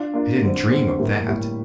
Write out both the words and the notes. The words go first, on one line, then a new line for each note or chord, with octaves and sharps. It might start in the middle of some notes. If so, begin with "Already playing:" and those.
I didn't dream of that.
Already playing: D4 F4
A#3 D4 F4
D3 G3 C4
D3 G3 C4
A2 G3 A#3
A2 G3 A#3